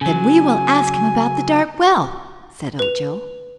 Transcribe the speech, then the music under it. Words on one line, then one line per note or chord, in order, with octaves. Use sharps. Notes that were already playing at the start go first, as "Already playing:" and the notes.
"Then we will ask him about the dark well," said Ojo.
C#3 F#3 G#5
B4 F7